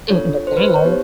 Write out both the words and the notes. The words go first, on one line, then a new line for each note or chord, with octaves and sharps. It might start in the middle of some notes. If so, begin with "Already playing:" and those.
out and about.
D4 F4 A4 C#5
C5
B4
C5
C#5
B3 D#4 G4